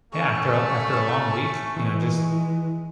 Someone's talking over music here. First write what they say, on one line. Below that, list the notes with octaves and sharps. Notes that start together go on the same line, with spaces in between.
Yeah, after a after a long week, you know, just,
A3 C#4 A4 C#6
E3 G#3